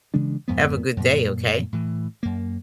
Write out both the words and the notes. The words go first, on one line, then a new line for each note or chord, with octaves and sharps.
Have a good day okay.
C#3 E3 G#3 D4
F2 G#2 B2 B3
F#2 A#2
A2 E3
F#2 A#3